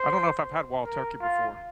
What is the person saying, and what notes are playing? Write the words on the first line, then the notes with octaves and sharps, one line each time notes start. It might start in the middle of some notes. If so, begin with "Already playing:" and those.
I don't know if I've had wild turkey before.
Already playing: C5
A#4
F4